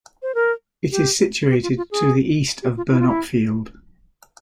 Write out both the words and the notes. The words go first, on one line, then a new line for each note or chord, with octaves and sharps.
It is situated to the east of Burnopfield.
C5
A#4
G4
G4
F4
F4
G#4
G4
F4
E4
F4
E4